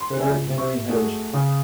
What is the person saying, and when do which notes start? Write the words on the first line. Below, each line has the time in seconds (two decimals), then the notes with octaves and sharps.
Frederic Henry Hedge.
0.01 C6
0.19 B4 D5 E5 G5 G#5
0.30 C#2
0.58 G4 E5 C#6
0.89 A3 F#4 G#4
1.33 C#3 G#4 D#6